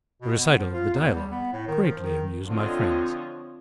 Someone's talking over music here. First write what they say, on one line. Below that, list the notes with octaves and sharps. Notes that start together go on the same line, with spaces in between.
The recital of the dialogue greatly amused my friends.
B2
B3
F3
F4
E2
G3
B3
A2
D#3
F3
D#3
D3 F3 C4 F4 C#5 D#5